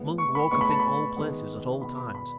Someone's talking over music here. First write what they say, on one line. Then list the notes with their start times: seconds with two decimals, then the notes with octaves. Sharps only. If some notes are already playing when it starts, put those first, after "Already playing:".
Mung walketh in all places at all times.
Already playing: A2 G#3 B3
0.18 C#6
0.35 B5
0.51 A2 G#3 B3 C#6
0.61 B5
0.69 A5
0.80 B5
1.17 D#3 G#3 B3
1.82 B2 G#3 B3 B5
1.98 B5
2.15 B5